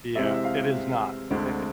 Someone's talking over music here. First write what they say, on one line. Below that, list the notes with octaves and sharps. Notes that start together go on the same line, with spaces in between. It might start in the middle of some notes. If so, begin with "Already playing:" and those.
Yeah, it is not. I It
C3 E3 G#3 C4 E5
E5
F5
D2 D3 G#3 C4